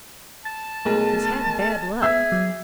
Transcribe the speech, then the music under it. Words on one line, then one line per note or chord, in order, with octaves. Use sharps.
"He's had bad luck."
A5 A6
B1 A3 G#4 A#4
B3 G#4 E5 E6
F#3